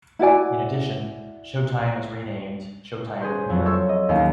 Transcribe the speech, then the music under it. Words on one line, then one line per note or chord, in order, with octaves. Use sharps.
In addition, Showtime was renamed showtime premiere.
E4 F#4 D5 G#5
C#4 G#4 B4 C5
F2 F#3
A4 C#5 C6 E6
D#5
D#2 C#4 D#4 F5